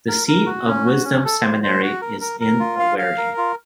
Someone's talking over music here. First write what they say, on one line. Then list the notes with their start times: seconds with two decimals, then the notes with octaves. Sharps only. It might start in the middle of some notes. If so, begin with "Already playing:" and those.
The Seat of Wisdom Seminary is in Owerri.
0.08 A#4
0.28 A#4
0.46 F#4
0.67 C#4
0.86 F#4
1.05 C#4
1.25 A4
1.43 C5
1.63 C5
1.82 F#4
2.02 A#4
2.21 A#4
2.40 A#4
2.60 F4
2.79 F5
2.98 F5
3.18 A#4
3.37 F4